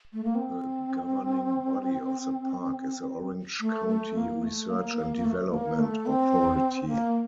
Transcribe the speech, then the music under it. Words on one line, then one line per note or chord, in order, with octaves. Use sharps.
The governing body of the Park is the Orange County Research and Development Authority.
A3
A#3
C4
A3
A3
A#3
A3
A#3
A#3
A#3
A3
A#3
A3
C4
A#3